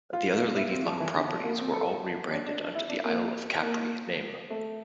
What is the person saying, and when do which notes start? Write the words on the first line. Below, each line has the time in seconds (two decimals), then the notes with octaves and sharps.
The other Lady Luck properties were all rebranded under the Isle of Capri name.
0.13 F4
0.57 E4
0.71 C4
0.86 F3
1.00 E3
1.14 D3
1.29 F3
1.44 A#3
1.59 C4
1.73 A4
2.31 D4
2.46 D4
2.60 D4
2.75 E4
2.89 D4
3.05 A#3
3.62 A#3
4.50 A3